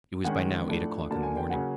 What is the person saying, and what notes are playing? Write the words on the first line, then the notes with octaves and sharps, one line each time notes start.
It was by now eight o'clock in the morning.
D#3 G#3 C#4 F#5 G#5
A2 F3 A3 D4
D3 F#3 A#3 A5
G#5
G5
C#3 F#3 A#3 C#4 F#5 G#5